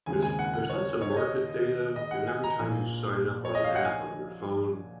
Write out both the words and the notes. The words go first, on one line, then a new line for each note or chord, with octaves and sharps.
'cause there's lots of market data and every time you sign up on an app on your phone,
D#2 C#3 G#3 C4 G#5
G#5
F#5
F#5
C#5
C#5
D#5
D#5
F#5
G#5
A#5
A#1 A#2 F3 G#5
C#5
D#5
F5
F#5
G#5